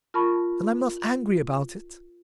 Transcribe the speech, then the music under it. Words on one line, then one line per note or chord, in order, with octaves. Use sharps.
And I'm not angry about it.
F4 A#4 A5 B5 C#6